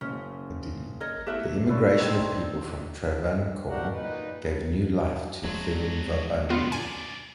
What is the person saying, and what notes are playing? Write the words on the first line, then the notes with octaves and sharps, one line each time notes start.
The immigration of people from Travancore gave new life to Thiruvambady.
F#1 C#3 C#4
A#4 C#5 D#5
A3 B3 E4 G4 A#4 E5 F#6 E7
C#3 A4 B4 C#5 D5
A2 D3 C4 D4 D#4 C6 G#6
D4 F#4 G4 A#4 F#5
A#2 D#4 B4
A#2 F3 F#3 G#3
B3 F4 C5 F#5
F#2 D5 G#5